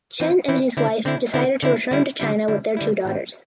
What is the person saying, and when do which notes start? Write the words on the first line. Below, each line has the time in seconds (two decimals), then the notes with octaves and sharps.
Chen and his wife decided to return to China with their two daughters.
0.20 E3 C4 E4
0.48 E3 C4 E4
0.77 D3 C4 E4
1.05 D3 C4 E4
1.34 D3 C4 E4
1.63 D3 C4 E4
1.91 D3 G3 E4
2.20 D3 G3 E4
2.48 D3 G3 E4
2.77 D3 G3 E4
3.05 A2 E3 C4